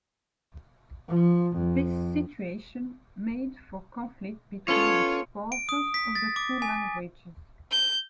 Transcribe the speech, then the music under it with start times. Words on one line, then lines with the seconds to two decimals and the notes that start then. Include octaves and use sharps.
This situation made for conflict between the supporters of the two languages.
1.09 F3
1.57 F2
4.68 B3 C#4 F4 A4 C#5
5.52 D7
5.69 D#6
5.94 B6
6.15 A6
6.36 D6
6.62 G#5
7.71 G6